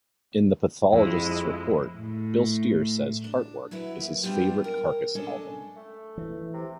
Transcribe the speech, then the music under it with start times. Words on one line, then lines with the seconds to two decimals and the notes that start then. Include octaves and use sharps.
In "The Pathologist's Report," Bill Steer says "Heartwork" is his favourite Carcass album.
0.93 F2 G#3 E4
1.94 A2
3.24 D4
3.71 F#3 E4 B4 E5
4.01 A#3
4.23 G3 B3 C4 D4 F4 G4
4.64 A#4
5.15 G#3 C#4 D4 A4 D#5 A5
5.76 A3
6.18 E3
6.53 C3